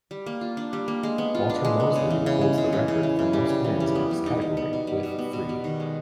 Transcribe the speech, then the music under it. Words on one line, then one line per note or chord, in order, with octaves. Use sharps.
Walter Mosley holds the record for most wins in this category, with three.
G3
A#3
F4
D4
G3
A#3
G#3
B3
F4
D4
G#3
B3
C#3
E3
C#3
G#3
C#3
E3
C#3
E3
C#3
G3
C#3
E3
G3
B3
G3
D#4
G3
B3
B2
G3
B2
B3
B2
G3
D#3
G#3